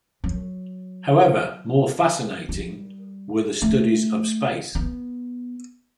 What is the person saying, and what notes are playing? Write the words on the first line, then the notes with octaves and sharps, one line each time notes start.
However, more fascinating were the studies of space.
F#3
G3
A3
B3